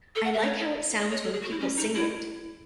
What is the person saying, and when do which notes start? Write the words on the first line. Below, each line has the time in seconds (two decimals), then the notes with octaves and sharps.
I like how it sounds when people sing it.
0.15 A4
0.24 F#5
0.33 E5
0.42 C#5
0.99 D#5
1.11 C#5
1.24 A4
1.33 G#4
1.41 F#4
1.50 E4
1.60 C#4
1.77 D#4
1.95 E4